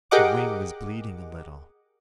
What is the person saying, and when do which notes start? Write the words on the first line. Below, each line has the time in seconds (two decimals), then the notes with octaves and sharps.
The wing was bleeding a little.
0.11 G4 G#4 A#4 D#5 F#5 D6